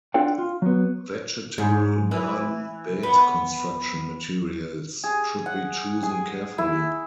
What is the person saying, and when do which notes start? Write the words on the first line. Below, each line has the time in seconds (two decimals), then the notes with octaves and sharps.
Vegetable garden bed construction materials should be chosen carefully.
0.14 D4 F4 A4 D5 F#5 G5
0.38 F4
0.62 F#3 B3
1.58 G#2
2.11 E3
3.03 B3
5.04 G#4
5.46 F#5
6.03 G#4
6.58 E4